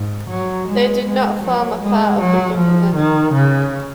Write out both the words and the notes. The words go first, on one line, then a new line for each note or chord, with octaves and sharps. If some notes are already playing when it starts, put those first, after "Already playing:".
They did not form a part of the government.
Already playing: G#2
F#3
G#3
G#3
F#3
G#3
F#3
F3
D#3
C#3